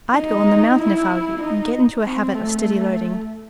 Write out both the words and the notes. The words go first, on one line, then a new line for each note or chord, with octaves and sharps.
"I'd go on the mountain if I were you, and get into a habit of steady loading."
D#4
E4
D#4
C4
A3